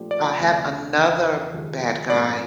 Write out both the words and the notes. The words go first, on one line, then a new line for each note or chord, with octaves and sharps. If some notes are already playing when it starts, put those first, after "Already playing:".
uh, have another bad guy
Already playing: A#2 F3 A3 D4 G4
D5
D2 C3 E3 A3
E2 C#3 E3
D#2 C#3 F3 G#3
G#2 F3 A3 C4 D5